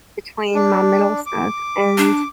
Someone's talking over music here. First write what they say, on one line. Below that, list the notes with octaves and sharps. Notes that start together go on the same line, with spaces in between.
between my mental stuff and
D4
D6
D4